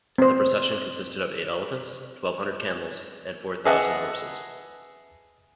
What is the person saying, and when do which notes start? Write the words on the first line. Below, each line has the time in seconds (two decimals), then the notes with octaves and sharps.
The procession consisted of eight elephants, twelve hundred camels, and four thousand horses.
0.18 C4 C5
3.65 G#4 B4 D#5 E5 F#5 A5